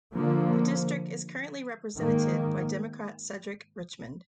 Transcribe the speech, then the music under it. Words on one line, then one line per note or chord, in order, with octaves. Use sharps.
The district is currently represented by Democrat Cedric Richmond.
D3 F3 A#3
G#2 D#3 A#3